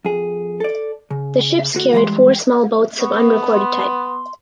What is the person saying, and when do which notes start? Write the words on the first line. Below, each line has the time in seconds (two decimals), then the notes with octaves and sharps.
The ships carried four small boats of unrecorded type.
0.05 F2 G#4
0.60 A4 D5
1.11 C#3
1.75 D2 F#4
1.93 E3 G3 G#3 F5 C6
3.00 B3 C#6
3.52 C6